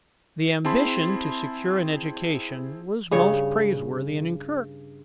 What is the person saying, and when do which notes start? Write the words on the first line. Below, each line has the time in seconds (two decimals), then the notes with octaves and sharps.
The ambition to secure an education was most praiseworthy and encouraging.
0.65 C4 E4 G#4 A5 B5 C6
3.11 G2 C#3 C#5